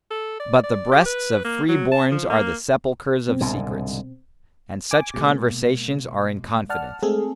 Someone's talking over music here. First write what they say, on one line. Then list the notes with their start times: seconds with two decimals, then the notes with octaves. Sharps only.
But the breasts of free-borns are the sepulchres of secrets' and such conversations are in confidence.
0.11 A4
0.40 D5
0.64 D5
0.92 G4
1.06 B4
1.45 A#3
1.69 F#3
1.92 A5
2.11 F3
2.30 A#3
3.28 B2 C4
3.41 C2 G#2 D3
4.91 G#5 D6
5.14 B2 G#3 A#3
6.69 D5 F#5 A5 F6
7.03 G#3 A3 C4 G#4 A4